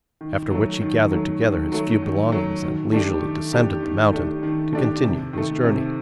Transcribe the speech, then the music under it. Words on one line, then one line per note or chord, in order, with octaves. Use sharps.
After which he gathered together his few belongings, and leisurely descended the mountain to continue his journey.
D#3
F#3 A3
D#3
F#3 A3
D#3
F#3 A3
D#3
F#3 A3
D#3
A3 D4 G4
D#3
A3 D4 G4
D#3
A3 D4 G4
D#3
A3 D4 G4
C3
D#3 A3
C3